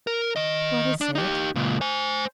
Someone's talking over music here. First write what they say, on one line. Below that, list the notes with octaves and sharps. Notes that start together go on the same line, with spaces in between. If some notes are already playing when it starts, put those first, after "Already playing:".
"What is it?"
A#4
D#3 D#5
D4
D#4 G4
C#2 A#2
C5 G#5